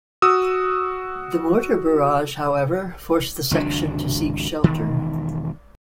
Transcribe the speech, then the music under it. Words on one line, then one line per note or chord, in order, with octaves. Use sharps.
The mortar barrage, however, forced the section to seek shelter.
F#4 D#6 E6
G#1 C#2 F#3 D4
E1 D#3